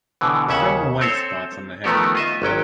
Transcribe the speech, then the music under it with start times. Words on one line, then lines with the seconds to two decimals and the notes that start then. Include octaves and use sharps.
Some white spots on the head.
0.21 B2 D3 E3
0.48 D#2 C#3 C#4 E5 F#5
1.01 C4 A4 C5 C#5
1.84 D#3 F3 A3 B3 F#4 G4
2.15 F4 D#5 E5
2.42 G#1 F#3 C#4 G5